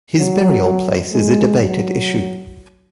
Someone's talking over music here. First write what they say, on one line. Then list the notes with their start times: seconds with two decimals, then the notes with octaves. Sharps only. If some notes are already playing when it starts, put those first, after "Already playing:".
His burial place is a debated issue.
0.18 F#3
1.12 G#3
1.59 F#3